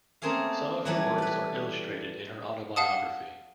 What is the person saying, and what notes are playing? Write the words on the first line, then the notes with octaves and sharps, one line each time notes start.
Some of her works are illustrated in her autobiography.
A3 A#3 C4 C#4 G#4 F5
E3 F#3 G3 A3 C#5 D5
G4 B4
F5 F#5 A5 D#6